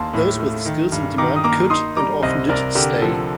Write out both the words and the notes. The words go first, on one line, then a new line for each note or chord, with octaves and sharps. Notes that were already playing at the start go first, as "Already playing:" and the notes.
Those with skills in demand could - and often did - stay.
Already playing: D#2 A#3 A5 C6
A2
A3
D#3
G2
D#3 A#5 D6
D#6
A#3 A#5 D6
D#4 C6 D#6
G3 A#5 D6
C2 C5 D#5
C2 A#4 D5
D3 G4 A#4
F3 A4